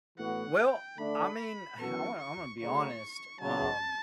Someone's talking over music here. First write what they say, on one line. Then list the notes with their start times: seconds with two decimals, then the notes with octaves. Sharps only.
Well, I mean, I wanna Imma be honest, um
0.18 A2 E3 B3 F#4 F#5
0.58 G5
0.98 D3 A3 D4 B5
1.79 F#2 E3 B3 F#4 A4 C#6
2.19 C#6
2.59 D2 C#3 F#3 C#6
3.41 E2 C#3 F#3 A5